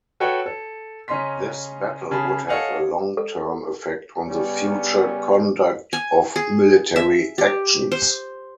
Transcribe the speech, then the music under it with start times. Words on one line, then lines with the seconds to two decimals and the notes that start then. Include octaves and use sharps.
This battle would have a long-term effect on the future conduct of military actions.
0.20 F#4 A4 B4 C#5 F#5 G5
0.46 A4
1.08 C#3 C#4 D#5 A#5 C6 B6
2.11 C#3 G#4 A5 B5
2.48 A4 C#5 D#5 F5 F#5 G#5
3.17 A4
4.28 C#3 G3 B3 C#4
5.93 G#5
6.36 G#4
6.96 E5
7.38 G4
7.92 C5